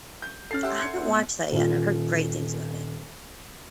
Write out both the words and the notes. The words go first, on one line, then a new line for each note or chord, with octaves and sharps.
I haven't watched that yet, and I've heard great things about it.
G6
C#4 A4 F6 A6 C7
G4 E5 F#5 C6 E6
G6 G#6 C#7
A#2 B3
D#1 F4